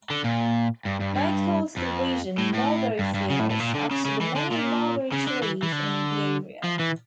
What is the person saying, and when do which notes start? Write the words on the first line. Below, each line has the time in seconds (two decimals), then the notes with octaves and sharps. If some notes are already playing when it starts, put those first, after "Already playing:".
They called the region "Mulberry Fields", after the many mulberry trees in the area.
0.10 D3
0.24 A#2
0.86 G2
1.02 G2
1.16 G2
1.78 F2
2.38 A2
2.53 A2
2.99 G2
3.14 G2
3.30 C#3
3.40 A2
3.50 A2
3.60 A#2
3.75 D3
3.91 C#3
4.05 C#3
4.21 E3
4.35 D3
4.51 A#2
5.12 C#3
5.27 D3
5.43 E3
5.63 E3
5.72 D3
6.64 F3
6.80 E3